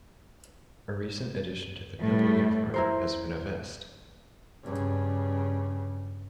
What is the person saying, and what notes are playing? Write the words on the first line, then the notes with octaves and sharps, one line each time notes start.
A recent addition to the Pymble uniform has been a vest.
A2 G3
E4 A#4 C5
G2 C#3